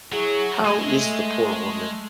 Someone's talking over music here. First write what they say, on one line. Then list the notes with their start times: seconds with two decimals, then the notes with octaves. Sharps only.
How is the poor woman?
0.12 F#3 E4 G#4 C#5
0.65 G#3 A3 G#5